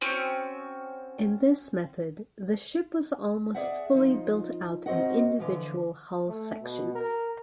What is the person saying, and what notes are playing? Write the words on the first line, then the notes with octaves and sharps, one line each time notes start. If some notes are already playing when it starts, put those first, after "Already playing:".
In this method, the ship was almost fully built out in individual hull sections.
C4 C#4 F#4
G#4 D5 E5 F#5
F3 D#4 F4
G#2 C4 F#4 D#5 F#5
D3 E3 F3
A3
B2
A#4